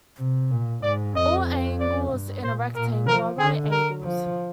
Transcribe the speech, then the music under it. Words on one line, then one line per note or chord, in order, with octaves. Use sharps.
All angles in a rectangle are right angles.
C3
A#2
G#2 D5
F2 D#5
D5
G2
A#2 C5
A#2 A#4
F3 A#4
D3 G#4
A#4
F3